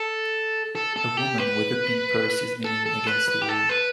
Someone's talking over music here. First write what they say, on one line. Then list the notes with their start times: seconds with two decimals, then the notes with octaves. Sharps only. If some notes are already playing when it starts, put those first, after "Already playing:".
A woman with a pink purse is leaning against a wall.
Already playing: A4
0.75 A4
0.96 A4
1.17 G4
1.38 B4
2.65 A4
2.86 A4
3.07 B4
3.28 B4
3.42 G4
3.49 A4
3.69 B4